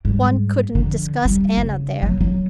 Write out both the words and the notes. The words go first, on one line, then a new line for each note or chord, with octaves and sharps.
One couldn't discuss Anna there.
G#2 G3
D3 F3
G3
C#3
F#3 A#3
F#3